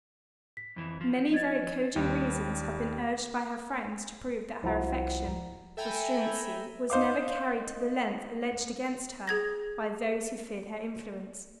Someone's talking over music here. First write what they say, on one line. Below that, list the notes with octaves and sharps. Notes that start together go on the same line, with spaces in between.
Many very cogent reasons have been urged by her friends to prove that her affection for Struensee was never carried to the length alleged against her by those who feared her influence.
B6
F2 E3
F3
D#5 G#6 A6
D#2 G3
C2 F3 E4 F#4 F#5 A#5
A4 E5 G5 G#5 A#5 B5
D#4 C5 F5 D6
G#4 G#6 A#6